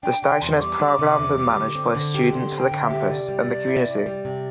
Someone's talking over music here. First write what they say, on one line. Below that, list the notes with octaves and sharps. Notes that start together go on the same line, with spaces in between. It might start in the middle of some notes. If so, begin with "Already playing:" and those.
The station is programmed and managed by students for the campus and the community.
D4 G5
C3 G5
E2 C6
G3 D6
D4
C3
E2
G3
D3
C4
D3
G4
D3 C6
C4
G5
D3
E5
G4
C3 D5
G3
C3
E4
C3
G3
C3